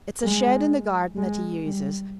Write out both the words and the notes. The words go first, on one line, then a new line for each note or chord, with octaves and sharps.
It's a shed in the garden that he uses.
G#3
G#3
G3